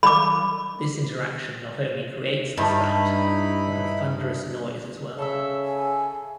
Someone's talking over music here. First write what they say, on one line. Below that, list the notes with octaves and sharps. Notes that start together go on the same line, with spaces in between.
This interaction not only creates the spout, but a thunderous noise as well.
B5 D6
G2 D#4 E4 B5
C#3 A4 E5
G#5